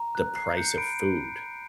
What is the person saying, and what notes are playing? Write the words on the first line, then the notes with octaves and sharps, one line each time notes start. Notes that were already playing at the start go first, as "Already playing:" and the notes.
the price of food.
Already playing: A#5
F#6
F#6 C7
G6 C#7
B5 D7